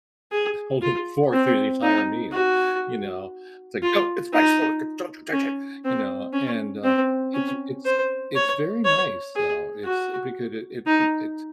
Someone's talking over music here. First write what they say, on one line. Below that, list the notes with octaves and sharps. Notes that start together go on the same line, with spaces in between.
holding the fork through the entire meal, you know? It's like, "No, it's my fork. Eh don't you touch it," you know, and, uh, it's it's it's very nice, though, it's because it it it
G#4
F4
C4
D#4
F#4
F4
D#4
C#4
C4
C#4
C4
C#4
C5
C#5
C#5
G#4
F#4
D#4